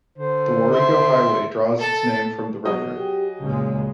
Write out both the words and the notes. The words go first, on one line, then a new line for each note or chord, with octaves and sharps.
The Warrego Highway draws its name from the river.
D3 C5
E5 C6
A4
B2 F#3 D#5
G4 G#4
C#2 A#2 C#3 G#3